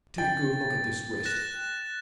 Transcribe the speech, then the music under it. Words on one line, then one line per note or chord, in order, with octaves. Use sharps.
Take a good look at this wrist.
G5 A6
F#6 A#6 E7